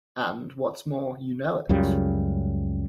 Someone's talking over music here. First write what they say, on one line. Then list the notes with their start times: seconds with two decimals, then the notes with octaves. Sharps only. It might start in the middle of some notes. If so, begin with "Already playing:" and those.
And, what's more, you know it.
1.69 C#2 F#2 C#3 G3